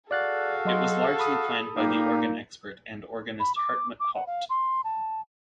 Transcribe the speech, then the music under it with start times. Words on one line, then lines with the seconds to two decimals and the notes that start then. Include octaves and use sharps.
It was largely planned by the organ expert and organist Hartmut Haupt.
0.11 F#4 G#4 A4 D5 F5 F#6 A6
0.65 F#3 D#5 C6
1.19 B5 D#6
1.76 A#2 A#3 D#4 G4 F5
3.40 B5
3.56 D6
4.00 D6
4.14 F#5
4.27 F5
4.50 C6
4.84 A5